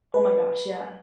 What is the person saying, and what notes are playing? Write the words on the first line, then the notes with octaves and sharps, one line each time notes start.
Oh my gosh. Yeah.
B4